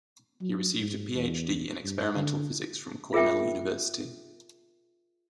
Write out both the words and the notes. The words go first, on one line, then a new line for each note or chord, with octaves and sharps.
He received a Ph.D. in experimental physics from Cornell University.
F#3
G#2
E2
G2
D3
F4 G#4 A#4 E5 G5